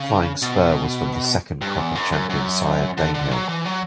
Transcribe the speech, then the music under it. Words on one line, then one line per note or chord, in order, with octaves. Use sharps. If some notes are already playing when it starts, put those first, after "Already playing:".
Flying Spur was from the second crop of champion sire Danehill.
Already playing: C#3
B2
G2
E2
F#2
F#2
F#2
D3
D3
F#3
E3
F#3